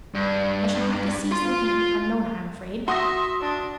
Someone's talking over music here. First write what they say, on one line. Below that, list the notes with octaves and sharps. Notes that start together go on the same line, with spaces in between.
I shall have to cease looking at the Unknown, I am afraid.
G2
F4 C6
F#4 E5 C6 D#6 A#6
D4